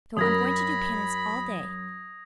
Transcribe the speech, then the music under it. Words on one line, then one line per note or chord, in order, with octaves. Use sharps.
So I'm going to do penance all day.
F#2 A#4 B5 D#6 G#6 A#6